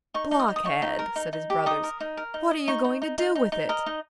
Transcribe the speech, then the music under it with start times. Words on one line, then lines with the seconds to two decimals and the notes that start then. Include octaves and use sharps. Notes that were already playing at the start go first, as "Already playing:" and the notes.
'Blockhead!' said his brothers, 'what are you going to do with it?'
0.14 D#4 C#6
0.31 D#4
0.40 D#6
0.48 D#4
0.56 D#6
0.65 D#4 C#6
0.82 D#4
0.99 A#4
1.16 D#4
1.33 D#4
1.50 G4
1.66 D#4 D#6
1.83 A#4
2.00 D#4
2.17 A#4
2.34 D#4
2.51 D#5
2.68 D#4 C#6
2.84 D#4
3.02 D#4
3.18 D#4
3.35 D#4
3.52 D#4
3.69 A#4 D#5
3.86 D#4